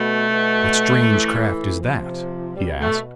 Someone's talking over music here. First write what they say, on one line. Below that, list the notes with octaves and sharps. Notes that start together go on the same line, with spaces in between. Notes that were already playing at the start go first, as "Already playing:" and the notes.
"What strange craft is that?" he asked.
Already playing: B2 A3
B2
A2 E3
C3 F3
B2 G3
A3